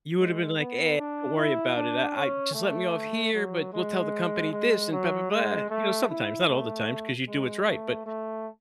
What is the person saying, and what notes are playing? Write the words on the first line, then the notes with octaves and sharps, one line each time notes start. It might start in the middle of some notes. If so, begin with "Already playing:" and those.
You woulda been like, "Eh, don't worry about it. I I just let me off here, but we'll tell the company this and blah blah blah," you know, sometimes, not all the times, 'cause you do what's right, but,
G#3
B3
D4
E4
D4
C#4
A3
F#3
G#3
G#3
F#3
G#3
A3
E4
A3
G#3
A3
A3